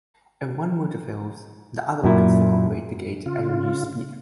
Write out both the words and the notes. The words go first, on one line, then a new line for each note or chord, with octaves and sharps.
If one motor fails, the other can still operate the gate at reduced speed.
F#2 A#2 E4
C#3 F4